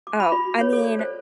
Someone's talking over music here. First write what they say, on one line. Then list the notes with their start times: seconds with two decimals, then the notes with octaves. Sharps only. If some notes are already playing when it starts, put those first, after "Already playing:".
Oh, I mean,
0.07 D6
0.20 B5
0.32 F4
0.44 F#4
0.61 C#5
0.73 A4
0.84 D5
0.99 C5